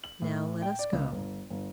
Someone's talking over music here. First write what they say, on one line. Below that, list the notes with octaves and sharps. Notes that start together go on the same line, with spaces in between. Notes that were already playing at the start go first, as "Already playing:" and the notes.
Now let us go.'
F#7
A2
G5
D5
C#2
G1
G1